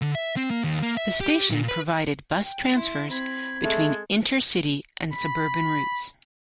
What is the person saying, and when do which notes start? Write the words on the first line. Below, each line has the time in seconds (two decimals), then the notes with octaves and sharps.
The station provided bus transfers between inter-city and suburban routes.
0.02 D3
0.15 E5
0.37 C4
0.51 A#3
0.64 D#2
0.82 A#3
0.97 E5
1.21 G4
1.50 A#2
1.69 B4
2.44 G5
2.75 E4 C6
3.11 C4 B5 G#6
3.64 G#3 A3 A4
5.12 B5